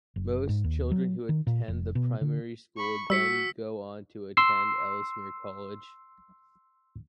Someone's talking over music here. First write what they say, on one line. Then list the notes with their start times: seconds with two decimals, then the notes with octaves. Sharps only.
Most children who attend the primary school then go on to attend Ellesmere College.
0.16 F#1
0.49 G#2
0.64 D#2
0.91 F#3
1.29 D#3
1.47 A#2
1.68 F1
1.95 B2
2.21 D3
2.77 B5 C#6
3.10 G3 F#4 E6 B6 C#7
4.37 C6 E6 C7